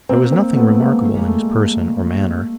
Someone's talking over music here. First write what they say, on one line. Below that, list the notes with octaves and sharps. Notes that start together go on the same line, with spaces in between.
There was nothing remarkable in his person or manner.
A#3 C4
A#3 C4
A3 B3
G#3 A#3
A3
G#3 A#3
A3
G#3